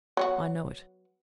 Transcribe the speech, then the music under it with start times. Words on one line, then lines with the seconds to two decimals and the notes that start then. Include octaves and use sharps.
I know it.
0.17 F#3 B3 F#4